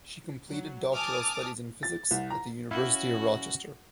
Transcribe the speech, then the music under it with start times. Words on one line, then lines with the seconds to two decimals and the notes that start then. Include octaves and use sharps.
She completed doctoral studies in physics at the University of Rochester.
0.50 F#3
0.94 G#5 A5 D6 D#6 F6
1.83 A6
2.11 C2
2.30 A#5
2.71 C#4 E4 F#4 F5